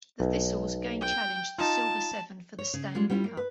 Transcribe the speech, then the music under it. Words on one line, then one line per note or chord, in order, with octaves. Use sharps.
The Thistles again challenged the Silver Seven for the Stanley Cup.
B1
G5
D#4 F4 A5
C#5
C#3
G3 G#3 C#4 F4 G#4
G3 B3 C#4 E4 F4
A#3
B4